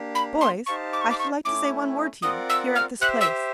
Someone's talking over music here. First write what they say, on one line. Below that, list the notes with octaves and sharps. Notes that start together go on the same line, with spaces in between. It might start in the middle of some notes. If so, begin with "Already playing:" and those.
"Boys, I should like to say one word to you, here at this place."
Already playing: A#3 D4 G4
B5
C6
D#4 G4 C5 F5 A5 C#6
D6
C#6
D6
C#6
A3 C#4 E4 D6
C4 F4 A#4 D5 F#5 D#6
E6
F6
G4 C5 E5 F#6
E6